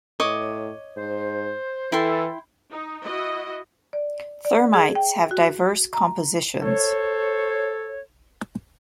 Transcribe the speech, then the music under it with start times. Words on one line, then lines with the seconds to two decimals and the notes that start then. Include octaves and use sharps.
Thermites have diverse compositions.
0.20 A2 C#5 D#5 D6
0.97 G#2 C5
1.92 E3 E4 A4 G5 C6
2.71 D#4
3.05 E4 F#4 D#5
3.93 D5
4.45 D5
4.74 G#4
4.95 G5
5.31 F#4
5.94 A#5
6.62 A4 C5 C#5